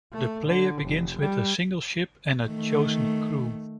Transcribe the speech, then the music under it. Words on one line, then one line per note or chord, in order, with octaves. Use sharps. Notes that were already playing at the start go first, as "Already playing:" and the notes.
The player begins with a single ship and a chosen crew.
A3
D3
F1
G3
D#3 A3